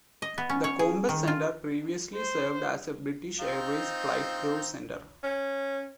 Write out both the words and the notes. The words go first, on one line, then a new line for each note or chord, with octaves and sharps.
The Compass Centre previously served as a British Airways flight crew centre.
D#5
B3
C#4
C#5
G#4
D#3
F4
C5
C4 D#4 F4
C#4